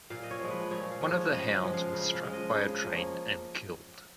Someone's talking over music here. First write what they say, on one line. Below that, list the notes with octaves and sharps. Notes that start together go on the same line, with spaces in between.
One of the hounds was struck by a train and killed.
A#2 F5
D#5
C#5
F3 G#3
B4
A#2 C#5
F5
F3 G#3
C#5
C#3 D#5
F#5
F3 G#3
F5
C#3 F5
F5
F3 G#3
D#5
C#3 G#4
D#5
F3 A#3
C#5